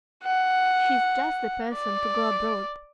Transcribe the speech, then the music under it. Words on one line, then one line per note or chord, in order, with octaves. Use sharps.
"She's just the person to go abroad."
F#5
D5